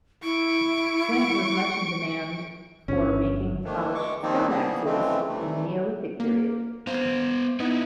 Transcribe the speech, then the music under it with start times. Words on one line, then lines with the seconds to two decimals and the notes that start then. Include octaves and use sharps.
Flint was much in demand for making polished stone axes in the Neolithic period.
0.23 E4 C#6 D7
2.88 G1 D3 C#4
3.65 D#3 F3 A3 A#3 D4
3.95 D2 G#3 C#6 D6
4.22 D#3 F3 G3 A#3 C4 D#4
4.49 E3 F3 G3 A#3 B3 G#4
4.85 C#3 E3 F3 G#3 A3 C4
5.29 C3 E3 G3 A3
6.20 A#3
6.87 B3 C5 F5
7.60 B3 D#4 E4